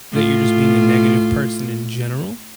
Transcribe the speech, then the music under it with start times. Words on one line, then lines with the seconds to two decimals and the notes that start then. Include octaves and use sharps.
that you're just being a negative person in general,
0.12 A2 F4